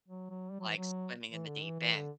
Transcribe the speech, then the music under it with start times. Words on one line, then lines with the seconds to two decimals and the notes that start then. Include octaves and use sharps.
like swimming in the deep end.
0.08 F#3
0.30 F#3
0.51 G3
0.60 F#3
0.68 E3
0.77 F#3
1.31 E3
1.48 D3
1.64 E3
1.80 E3
1.96 D3